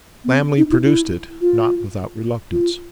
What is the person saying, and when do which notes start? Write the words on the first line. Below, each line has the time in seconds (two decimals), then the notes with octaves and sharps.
Lammle produced it, not without reluctance.
0.24 B3
0.29 C4
0.57 D#4
0.71 E4
0.85 E4
1.41 F4
2.52 F4